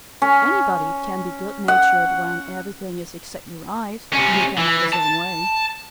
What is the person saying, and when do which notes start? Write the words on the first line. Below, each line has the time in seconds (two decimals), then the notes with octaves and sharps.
Anybody can be good-natured when everything is exactly right and he can have his own way.
0.22 C#4
1.68 F#5
4.13 C3 C#4
4.57 E3
4.93 A5